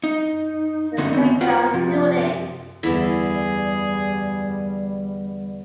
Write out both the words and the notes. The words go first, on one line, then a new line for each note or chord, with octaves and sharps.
The Seagram's Building!
D#4
D3 A3 A#3 C#4 D#4 F#4
D#3 B3 C4
F4 F#4 B4 C5 F#5 G5
C3 F3
E2 D3 G3 E4 G#4